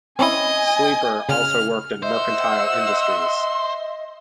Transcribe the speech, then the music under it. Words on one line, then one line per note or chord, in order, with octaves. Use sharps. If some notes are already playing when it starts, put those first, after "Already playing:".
Sleeper also worked in mercantile industries.
C4 C#4 E4 D#5 G#5
C#3 F6
C5 D#5 E5 F#5 E6